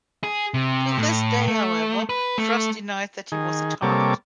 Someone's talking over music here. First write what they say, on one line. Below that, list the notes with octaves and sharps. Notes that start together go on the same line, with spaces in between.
To this day, however, Frost denies that he was the target.
G#4
C3
A2
A3
B4
A3
D#3 G#4
C3 G3 A#3 A4 C#5 D6